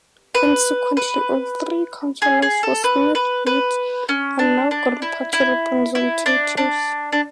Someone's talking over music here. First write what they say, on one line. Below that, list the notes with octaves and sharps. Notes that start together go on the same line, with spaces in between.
Consequently, all three councillors for Smith's Wood are now Green Party representatives.
B4
B4
G#4
G#4
A4
B4
B4
B4
C#4
D4
D4
E4
E4
E4
D4
D4
D4